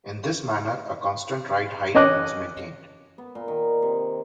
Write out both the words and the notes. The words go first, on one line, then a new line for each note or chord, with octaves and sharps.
In this manner, a constant ride height was maintained.
C#4 D#5 D6 F#6
B3
A#2
D#3
C3